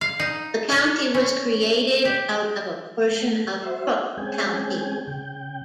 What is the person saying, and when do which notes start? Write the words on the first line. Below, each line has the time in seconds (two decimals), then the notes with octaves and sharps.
The county was created out of a portion of Crook County.
0.01 F5
0.20 D#4
0.72 A4
1.14 C#4
2.05 G4
3.11 A3
3.62 F#4 C5 E5
3.98 F#5
4.17 G#3 C4 C#4 G#4 G5 G#5
5.07 C#3 G5